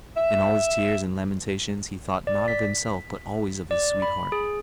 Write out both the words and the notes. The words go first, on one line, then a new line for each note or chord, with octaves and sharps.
In all his tears and lamentations he thought not of himself but always of his sweetheart.
E5
D5
B6
D5
B5
G#4